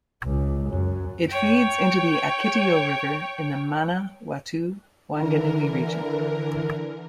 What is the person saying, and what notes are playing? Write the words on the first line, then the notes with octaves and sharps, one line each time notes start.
It feeds into the Akitio River in the Manawatu-Wanganui region.
C#2
F#2
C#5 G5
D3 E3 A#4